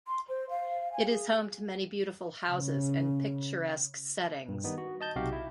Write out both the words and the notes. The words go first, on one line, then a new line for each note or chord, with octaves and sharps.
It is home to many beautiful houses, and picturesque settings.
C6
C5
F5
G#5
G#4
C#3
G2
D#3 G3 B3 D#4
F#4
D#5 A5 G6
B1 C3 D#4 F#4 G4 F5
E4